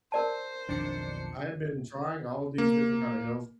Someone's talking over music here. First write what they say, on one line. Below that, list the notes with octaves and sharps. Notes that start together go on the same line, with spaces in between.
I had been trying all these different kind of health st
A#4 C5 D5 A5
B1 F2 D#3 D4 C#7
A#3